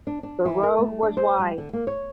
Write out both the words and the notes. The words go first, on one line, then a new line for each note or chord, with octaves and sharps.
The road was wide.
D4
D4
E3
A#4
A3
D4
C5
G3
D3
A#3
C#5